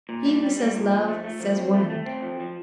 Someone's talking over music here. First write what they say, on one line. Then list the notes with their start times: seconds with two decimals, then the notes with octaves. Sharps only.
He who says love, says woman.
0.09 A#2
0.25 G3
0.43 G3
0.59 G3
0.74 A#2
0.91 F3
1.08 A3
1.25 A3
1.40 F3
1.57 C4
1.74 A3
1.90 A3
2.06 C4
2.22 F3
2.40 F3